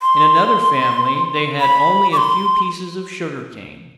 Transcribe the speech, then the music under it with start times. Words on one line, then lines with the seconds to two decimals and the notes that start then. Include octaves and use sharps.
In another family they had only a few pieces of sugarcane.
0.02 C6
1.60 B5
2.12 D6
2.17 C6